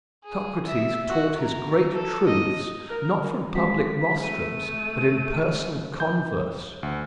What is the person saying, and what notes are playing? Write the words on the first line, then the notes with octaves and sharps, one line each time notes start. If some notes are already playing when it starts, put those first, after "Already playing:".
Socrates taught his great truths, not from public rostrums, but in personal converse.
G#4
E5
F#4
A#4
A4
D#5
A#4
G#3 C4 F#4 B6
A3 D#7
G6
D2